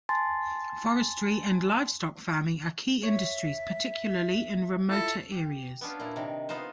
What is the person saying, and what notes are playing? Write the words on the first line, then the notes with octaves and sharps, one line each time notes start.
Forestry and livestock farming are key industries, particularly in remoter areas.
G#5 A5 C6 A6
C#5 E5
E4 F4 A4
G4
B3 C#4 D4 F4
A#2 E4
C3 D#3
B3 D#4 F4 C5